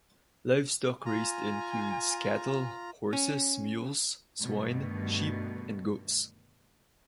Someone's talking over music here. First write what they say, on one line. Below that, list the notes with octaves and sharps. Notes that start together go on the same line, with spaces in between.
Livestock raised includes cattle, horses, mules, swine, sheep and goats.
F4 G#5 A#5
C#4
G2 B2 D3 D#3 A3